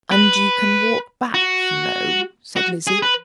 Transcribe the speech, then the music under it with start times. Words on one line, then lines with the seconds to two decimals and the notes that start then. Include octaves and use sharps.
"And you can walk back, you know," said Lizzie.
0.12 B4
1.34 F#4
2.56 F#4
2.87 G#4
3.02 B4